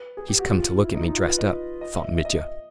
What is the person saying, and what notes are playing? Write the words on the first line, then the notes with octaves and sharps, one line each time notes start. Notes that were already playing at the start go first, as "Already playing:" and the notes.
"He's come to look at me dressed up," thought Mitya.
Already playing: B4
G#4
G4
F#4
F4
E4
D#4
D#4
F4
B4
D#5
D#5
E5
D#5
E5
D#5
D#5